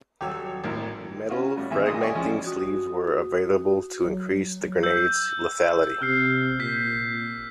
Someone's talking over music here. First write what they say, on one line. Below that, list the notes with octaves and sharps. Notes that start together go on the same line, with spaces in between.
Metal fragmenting sleeves were available to increase the grenade's lethality.
D#1 F#3 G4 C#5 E6
G#1 A2 A#4
C#4 F4 F#4
A2 G3
D#2 C3 E3 G#4 E5
B1 A#2 G#3 A3 D#5 D#6
D5 G5 G#5 C#6
F3 G#3 C#4
F#4 D#6
F#3
E6 G6
C3 F6 C7
A#2 F6 G6 B6